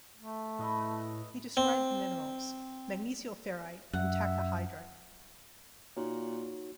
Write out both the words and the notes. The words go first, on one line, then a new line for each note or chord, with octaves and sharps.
He described the minerals, magnesioferrite and tachyhydrite.
A3
A2 B4 D#5 E5
C4
F#2 E5 F#5
A#2 D#4 F#4 C#5